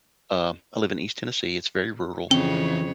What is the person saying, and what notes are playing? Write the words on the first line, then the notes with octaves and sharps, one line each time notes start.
um, I live in East Tennessee, it's very rural
F2 C#3 E3 C4 C#5 G5 G7